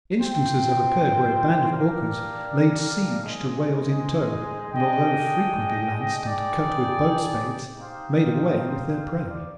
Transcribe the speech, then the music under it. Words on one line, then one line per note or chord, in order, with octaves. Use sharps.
Instances have occurred where a band of orcas laid siege to whales in tow, and although frequently lanced and cut with boat spades, made away with their prey.
C4 F4 C5 G5
D4 G4 A#4 D5 F5
G#3 D#4 G#4 C5 D#5
D4 G#4 D#5 G5
D#4 G#4 D5 G5
D#4 G4 C5 F5
D5